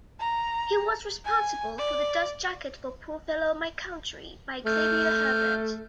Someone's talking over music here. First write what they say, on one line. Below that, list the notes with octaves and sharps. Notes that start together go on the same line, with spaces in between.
He was responsible for the dust-jacket for "Poor Fellow My Country" by Xavier Herbert.
A#5
G#5
D5
A3 F6 G6